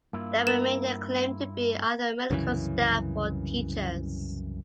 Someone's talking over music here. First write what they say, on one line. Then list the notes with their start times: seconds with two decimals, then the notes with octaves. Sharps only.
The remainder claimed to be either medical staff or teachers.
0.13 G2 A#3 E4 F4
0.47 A#4 E7
2.31 C2 F#2 C#3 E3